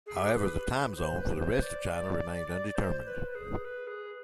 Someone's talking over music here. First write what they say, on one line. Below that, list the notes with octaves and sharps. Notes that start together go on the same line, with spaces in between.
However, the timezone for rest of China remain undetermined.
G#4
G4
G#4
B4
C5
B4
B4
C5
D5
C5
B4
B4
G#4
B4
G#4